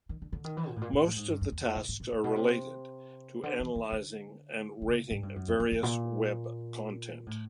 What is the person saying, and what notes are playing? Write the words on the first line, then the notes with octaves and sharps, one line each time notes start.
Most of the tasks are related to analyzing and rating various web content.
D#3
D3
D3
D#3
E3
A#2
A2
A#2
A#2
A2
G#2
G2
F#2
E2
F2
A2
A2
A#2
A2
B2
C3
D3
E3
D#3
D3
D3
C#3
G#2
G2
F#2
F2
F2
F2
A#2
A2